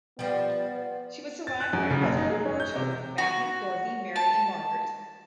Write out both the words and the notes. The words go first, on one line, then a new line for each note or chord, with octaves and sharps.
She was survived by her husband and four children, Matthew, Dorothy, Mary, and Margaret.
F3 G3 B3 D5
A6
F#6
F#2
C#3
F#1
D#4
G#4
C#4
G6
C3
F#4
A5